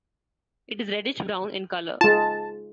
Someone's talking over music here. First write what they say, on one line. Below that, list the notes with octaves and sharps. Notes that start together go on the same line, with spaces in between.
It is reddish-brown in color.
G#3 F4 A5